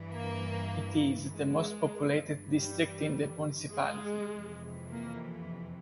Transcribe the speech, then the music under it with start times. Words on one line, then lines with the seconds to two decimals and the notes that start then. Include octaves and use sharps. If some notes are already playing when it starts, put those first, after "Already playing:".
It is the most populated district in the municipality.
Already playing: G2 E3
0.12 A#3
1.32 G#3
1.92 G2 E3
2.52 G3
3.71 G#3
4.32 F2 C3 E3
4.92 A#3